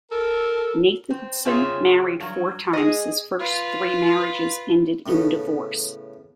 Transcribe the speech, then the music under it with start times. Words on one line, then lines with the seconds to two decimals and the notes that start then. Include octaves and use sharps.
Nathanson married four times; his first three marriages ended in divorce.
0.11 A4 A#4
1.10 C4
1.45 C#3 C4 F4 G#4 C#5 E5
2.20 G2 F#3
2.73 G#4 D#5
3.39 F4 B4
5.06 A2 C#3 A3 B3 D#5